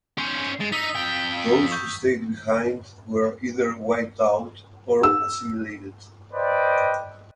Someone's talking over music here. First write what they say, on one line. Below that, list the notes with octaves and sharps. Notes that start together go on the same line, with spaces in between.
Those who stayed behind were either wiped out or assimilated.
C#4 C5
G#3 A6
D#4 D#5 D#6 E6 B6
F2 G5
C#6 G6
E6
B4 C5 D5 D#5 G5